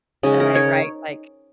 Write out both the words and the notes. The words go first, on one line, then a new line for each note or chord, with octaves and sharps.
that I write, like,
C#3 G#3 D#4
A#4
C#5